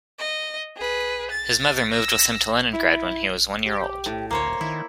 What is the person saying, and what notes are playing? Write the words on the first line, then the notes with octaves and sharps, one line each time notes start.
His mother moved with him to Leningrad when he was one year old.
D#5
G#4 B4
A6
E6 A#6
E4
G4
A2
D2 A#3 C5 C#5
D#1
D#3 E4